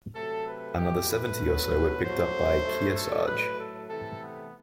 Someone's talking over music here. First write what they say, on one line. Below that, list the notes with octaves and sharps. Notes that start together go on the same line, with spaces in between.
Another seventy or so were picked up by "Kearsarge".
C3 F#3 A3 A4
B4
B2 F#3 A3 G4
B4
B2 F#3 A3
F#2 F#3 A3 C5
G2 F#3 A3
A4
A2 F#3 A3 B4
A4
C3 E3 A3 A4
B3